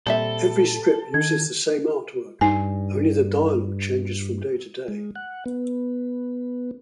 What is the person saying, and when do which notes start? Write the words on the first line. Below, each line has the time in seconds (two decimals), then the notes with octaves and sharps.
Every strip uses the same artwork; only the dialogue changes from day to day.
0.07 A#2 G3 C4 A4 E5
1.14 D#3 G#6
2.41 G2 D#4 G#5
4.88 G#3
5.16 F#5
5.46 B3